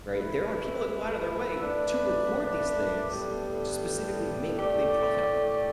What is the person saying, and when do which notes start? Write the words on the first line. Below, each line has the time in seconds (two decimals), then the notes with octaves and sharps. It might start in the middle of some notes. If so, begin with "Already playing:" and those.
right, there are people that go out of their way to record these things to specifically make m they profit off of it,
0.12 A3 E4 B4
1.61 A3 D4 B4 D5
3.09 A2 G3 B3 D4 A4
4.58 A2 A3 G4 D5